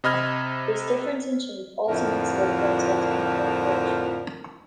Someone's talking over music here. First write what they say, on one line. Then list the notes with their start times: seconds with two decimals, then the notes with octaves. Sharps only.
This difference in shape also makes the red blood cells more prone to rupture.
0.04 C3 D#5 B5 F6 G#6
1.89 F2 A2 D3 F3 A#4